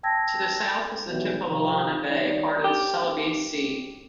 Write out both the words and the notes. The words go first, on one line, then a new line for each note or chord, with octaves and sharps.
To the south is the tip of Illana Bay, part of the Celebes Sea.
G5 A5 E6 G#6 A#6
B2 D#3 E3 F#3 G3 B3
C3 D#3 F3
D#3 G3 D#4 C#5 D5
G4